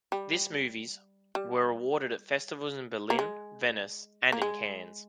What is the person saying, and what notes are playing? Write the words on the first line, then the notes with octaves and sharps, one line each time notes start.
This movies were awarded at festivals in Berlin, Venice and in Cannes.
G3
G3
A#3
G#3
A#3
G#3